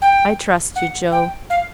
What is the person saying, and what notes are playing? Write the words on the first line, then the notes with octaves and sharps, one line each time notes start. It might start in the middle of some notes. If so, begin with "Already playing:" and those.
'I trust you, Jo.
G5
F#5
G5
F5